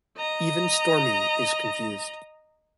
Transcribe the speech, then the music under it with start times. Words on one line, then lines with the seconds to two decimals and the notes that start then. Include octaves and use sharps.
Even Stormy is confused.
0.17 D#5 A#5